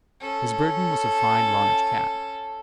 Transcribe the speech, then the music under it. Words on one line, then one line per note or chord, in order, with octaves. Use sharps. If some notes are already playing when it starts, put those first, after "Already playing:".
His burden was a fine large cat.
C#4 A4